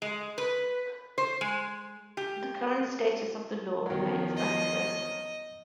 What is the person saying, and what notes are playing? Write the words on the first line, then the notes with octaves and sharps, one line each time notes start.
The current status of the law remains uncertain.
G#3
B4
C5
G#3
G4
E2 D#3 F3 F#3
D#5